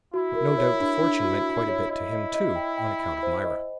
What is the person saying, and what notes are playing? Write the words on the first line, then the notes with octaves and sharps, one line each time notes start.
But no doubt the fortune meant quite a bit to him too on account of Myra.
E4 F#4
A#4
C#5
D4
D4
F#4
F#4
C#5
E4 D#5
D#5
D#5
G5
G5
B5
C5
D#5